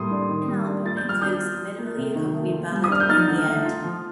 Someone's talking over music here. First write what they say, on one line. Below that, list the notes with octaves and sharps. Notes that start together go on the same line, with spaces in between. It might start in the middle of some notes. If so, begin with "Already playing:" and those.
In album includes the minimally-accompanied ballad "In the End".
Already playing: A2 G3 A#3 C6 D#6
D4
D#3
G3
D4
F4 A6
G6
G3 F6
D4 D#6 G6
F4
F3
A#3
C3
D#3
A3
F4
G3
D#6
D4 F6
G6
D#4 F6 A6
D3
A3
F4
F3